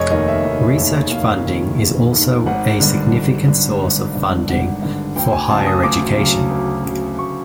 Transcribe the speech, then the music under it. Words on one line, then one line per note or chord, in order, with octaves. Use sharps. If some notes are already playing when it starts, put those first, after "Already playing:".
Research funding is also a significant source of funding for higher education.
Already playing: F1 C#5 D#5
D#2 D#3 D#5
E5
F1
D#2 D#3
F1 F5
D#2 D#3
F1
D#2 D#3
G#1 F#5
G2 D3
G#1
G2 D3
G#1
G2 D3
G#1 F#5
G2 D3
D2 G5
G#5
C#3 F#3 A5
D#6
D2 D6
C#3 F#3
D2
C#3 F#3
D2 C#6